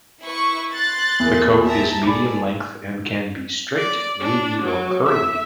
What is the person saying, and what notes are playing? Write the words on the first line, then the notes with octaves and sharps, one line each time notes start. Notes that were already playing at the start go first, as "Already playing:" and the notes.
The coat is medium length and can be straight, wavy, or curly.
E4 B4 C#6
C6 F#6 A6
E2 A#3
E5 A5 A#5
G#4 A4 D5 B5 D6
D5
D4
F#3
E5